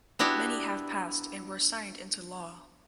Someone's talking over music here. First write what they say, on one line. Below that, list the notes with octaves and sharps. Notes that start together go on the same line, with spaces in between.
Many have passed and were signed into law.
B3 D4 E4 F#4 G4